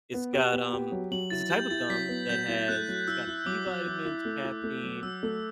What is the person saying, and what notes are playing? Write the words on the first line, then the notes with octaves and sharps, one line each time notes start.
It's got, um it's a type of gum that has it's got B vitamins, caffeine,
B3
G4
B3
G4
F#3
F#3 F#7
E4 A6
G4 G6
E4 A6
F#3 B6
B3
F#3 G6
E4
A3 F#6
F#3
E4 E6
E4
F#3 D6
F#3
E4
E4
A3
E4
A3
F#3
F#3 E6
A3